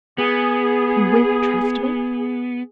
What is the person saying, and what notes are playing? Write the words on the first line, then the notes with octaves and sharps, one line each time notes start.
"You WILL trust me?"
B3 G#4